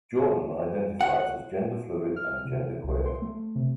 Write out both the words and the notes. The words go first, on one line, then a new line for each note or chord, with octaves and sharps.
Jordan identifies as genderfluid and genderqueer.
F#5
F6
C3
C2
C6
A3
C3